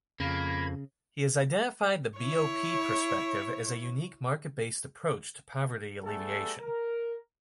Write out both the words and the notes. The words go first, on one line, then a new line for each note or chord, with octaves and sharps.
He has identified the BoP Perspective as a unique market-based approach to poverty alleviation.
F2 C#3 A#3 B5 G#6
E4 C#5
G3 A3 B3 G#4 A4
A#4